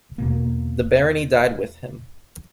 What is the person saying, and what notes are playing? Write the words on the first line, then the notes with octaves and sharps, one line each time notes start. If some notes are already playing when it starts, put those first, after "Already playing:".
The barony died with him.
E2 B2 A#3